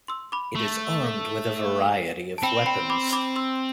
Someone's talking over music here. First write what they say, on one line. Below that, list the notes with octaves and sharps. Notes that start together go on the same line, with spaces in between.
It is armed with a variety of weapons.
C6 E6
B5 D6
A3
A5
C4 G5 B5
G5 B5
B5 D6
B5 D6
C6 E6